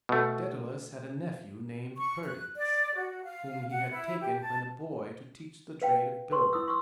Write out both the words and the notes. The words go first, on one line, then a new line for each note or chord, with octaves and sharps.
Daedalus had a nephew named Perdix whom he had taken when a boy to teach the trade of builder.
B2 A3
C#6
F#6
D5
F#4
F5
F#5
E4
G4
A5
B4 F5 G5
B4 C6 C#6
E4 D#6 E6
C6 C#6 D#6 E6